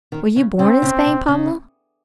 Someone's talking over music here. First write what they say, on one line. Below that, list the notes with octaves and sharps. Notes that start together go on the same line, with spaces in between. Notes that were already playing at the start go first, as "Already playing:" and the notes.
"Were you born in Spain, Pablo?"
D#3
C#3
C#3 C4
C#3
C3
C#3